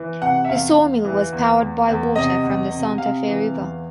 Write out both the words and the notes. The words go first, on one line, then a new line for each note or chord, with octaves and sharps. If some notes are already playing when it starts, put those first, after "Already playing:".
The sawmill was powered by water from the Santa Fe River.
Already playing: E3
C3 F#5
E5
E2 F5
E2
E3
E2
E2
E2
C3 D#5
E2
C3
C3 F5
E3
E2